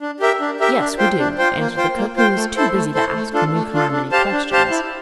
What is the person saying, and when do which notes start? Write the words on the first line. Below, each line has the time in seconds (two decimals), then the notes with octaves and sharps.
'Yes, we do,' answered the cook, who was too busy to ask the new-comer many questions.
0.01 D4
0.20 G4 A#4 E5
0.41 D4
0.60 G4 A#4 E5
0.79 D4
0.98 F4 C5 G5
1.18 D4
1.38 F4 C5 G5
1.58 A#3
1.77 F4 C5 G5
1.96 A#3
2.17 F4 C5 G5
2.36 A3
2.56 E4 A4 C5
2.74 A3
2.95 E4 A4 C5
3.14 A3
3.34 D4 F4 A4
3.53 A3
3.74 D4 F4 A4
3.92 D4
4.12 G4 C5 F5 A5
4.32 D4
4.51 G4 C5 F5 A5
4.70 E4